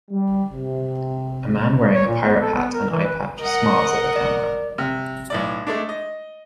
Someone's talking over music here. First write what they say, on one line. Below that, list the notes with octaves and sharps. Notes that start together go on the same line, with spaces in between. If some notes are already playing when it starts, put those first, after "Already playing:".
A man wearing a pirate hat and eyepatch smiles at the camera.
G3
C3
C#5
A#2
B3
A4
B3
A#4
E3
B4
A#4 D#5 F#5
D5
C3
B1 A2 D5
G#3 A3 D4
D#5